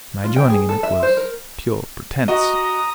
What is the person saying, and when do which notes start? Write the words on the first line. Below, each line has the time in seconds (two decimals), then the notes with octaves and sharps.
My joining in it was pure pretence.
0.24 F4
0.36 G5
0.50 G#4
0.69 A4
0.83 E5
1.03 C5
1.17 A#4
2.28 F#4 D#5 A#5 D#6